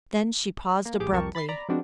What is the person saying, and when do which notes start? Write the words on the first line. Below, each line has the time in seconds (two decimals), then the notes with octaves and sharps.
Then she paused abruptly.
0.86 A#3
1.00 A1 G4 G#4 D6
1.12 C2 F2 G4 A#4 A5 C#6
1.35 B5 A6 B6 C7
1.48 D5 A#5 B5
1.69 F3 G#3 B3 C4 D4 F#4